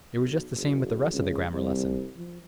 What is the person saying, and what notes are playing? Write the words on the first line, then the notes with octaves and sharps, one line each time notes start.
It was just the same with the rest of the grammar lesson.
B1
F#1
C#2
C2
F3